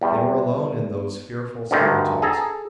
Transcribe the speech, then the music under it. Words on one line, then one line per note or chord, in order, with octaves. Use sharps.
They were alone in those fearful solitudes.
E2 G3
D2 G2 D3 D#3
G#4 A4 A#5